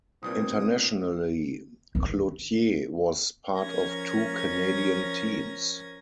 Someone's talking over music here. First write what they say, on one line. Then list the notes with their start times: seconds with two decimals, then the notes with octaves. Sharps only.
Internationally, Cloutier was part of two Canadian teams.
0.23 C2 G2 A#2 C4 D#6
1.95 D#3 E3
3.58 F3 C#4 A#4 G#6 A#6